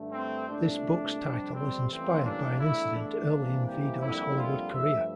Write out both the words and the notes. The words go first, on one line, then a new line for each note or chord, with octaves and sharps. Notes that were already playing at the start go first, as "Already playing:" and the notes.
This book's title is inspired by an incident early in Vidor's Hollywood career.
Already playing: G2 D3 A3
C4
C2 A#2 A3 D4
F2 C3 G3
C4
A1 A2 E3 G3 A#3 C4
D4
E2 D3 A3 E4
D4
C2 C3 E3 A#3
G4
F2 D3 G3 A#3 E4
F4
G2 F3 A3 E5